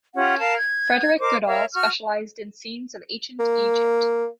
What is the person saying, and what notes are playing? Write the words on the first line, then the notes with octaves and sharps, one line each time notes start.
Frederick Goodall specialized in scenes of Ancient Egypt.
C#4 F4 G4 F#5
A#4 F5 A5
G#6
A#4 C5 D#5 D6
A#4 C#5 E5 F5
F#4 C#6 F6
A#3